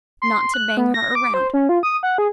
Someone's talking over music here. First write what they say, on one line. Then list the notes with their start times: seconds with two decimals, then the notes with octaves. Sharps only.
Not to Bang her round.
0.22 C6
0.54 F#6
0.77 B3
0.94 A#6
1.15 D6
1.34 C5
1.54 C#4
1.69 F4
1.83 D#6
2.03 F#5
2.18 G#4